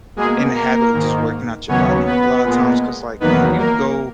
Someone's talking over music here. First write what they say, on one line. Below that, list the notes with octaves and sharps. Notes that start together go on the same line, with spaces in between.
in the habit of just working out your body, a lotta times 'cause, like, when you go
B2 G#3 A#3 G#4
A#3 A#4
G#2 D#3 A#3
D#2 C#3 F#3 B3 C#4 C#5
B3 B4
A#2 G#3 B3
E2 D#3 F#3 A#3 B3 B4
A#3 A#4